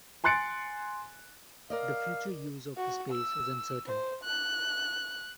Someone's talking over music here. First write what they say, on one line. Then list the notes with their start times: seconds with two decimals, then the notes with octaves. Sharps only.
The future use of the space is uncertain.
0.24 G#5 C6 F#6 A6 C#7 D7
1.70 A#4 D5 D#5 F5
2.77 F#4
3.12 E6
3.87 C5
4.24 F#6